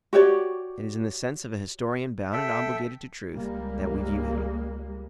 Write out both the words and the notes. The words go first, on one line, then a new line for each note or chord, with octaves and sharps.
It is in the sense of a historian bound and obligated to truth that we view him.
F#4 G4 C#5 D5
A4 E5 G5
C#2 G3 G#3 A#3